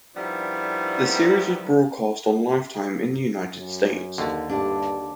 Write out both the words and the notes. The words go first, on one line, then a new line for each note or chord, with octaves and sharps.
The series was broadcast on Lifetime in the United States.
D#3 F3 G3 B3 D4 E4
F#2
D#2 D3
G2 D4 G4